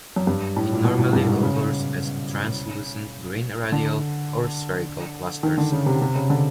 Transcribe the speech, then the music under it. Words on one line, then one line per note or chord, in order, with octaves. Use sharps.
It normally occurs as translucent green radial or spherical clusters.
F#2
G2
A2
A#2
B2
A2
G2
G#2
C#3
D3
D#3
D3
C#3
C3
C3
C#3
D3